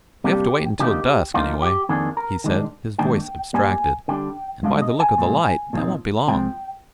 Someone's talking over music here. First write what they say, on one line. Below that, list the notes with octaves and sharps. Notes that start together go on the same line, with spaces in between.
"We have to wait until dusk anyway," he said, his voice abstracted, "and by the look of the light that won't be long."
C3 G3 A#3 D4 G4
D3 F3 A#3 D#4 G4
D3 F3 A#3 D#4 F4
G4
F2 D#3 A#3 D4 G#4
A#4
D#3 G#3 D4
G#2 D#3 A#3 D4 G5
A#2 G3 A#3 G#5
D3 G3 D4 G5
G2 D3 G#3 D4 F5
D#5
G#5
A#2 F3 G#3
A#2 F3 C4 D#4
C3 F3 G#3 C4 G5